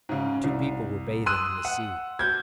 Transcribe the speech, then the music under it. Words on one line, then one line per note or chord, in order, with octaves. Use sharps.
Two people were bathing in the sea.
G#2 C#3
C2
C6 D#6 E6 F#6 D#7
F#5
F#4 G6 G#6